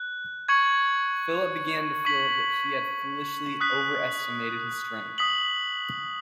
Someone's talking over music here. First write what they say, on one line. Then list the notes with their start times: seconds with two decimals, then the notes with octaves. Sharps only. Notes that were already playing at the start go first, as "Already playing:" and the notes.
Philip began to feel that he had foolishly overestimated his strength.
Already playing: F#6
0.48 C#6 G#6 C#7 F#7
2.05 C#6 B6 F#7
3.61 D#6 F#6 B6
5.18 D#6 B6 F#7